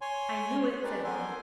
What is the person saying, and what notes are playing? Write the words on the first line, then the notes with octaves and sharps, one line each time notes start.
'I knew it,' said one.
C#5 G#5 C6
D#4 G4 A#4 B4 D5
B3 A4 A#4 C5 G#5 C6